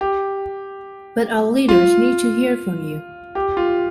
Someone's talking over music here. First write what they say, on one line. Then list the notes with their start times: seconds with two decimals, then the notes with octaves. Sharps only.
But our leaders need to hear from you.
0.01 G4
1.69 F4
3.35 G4
3.57 F4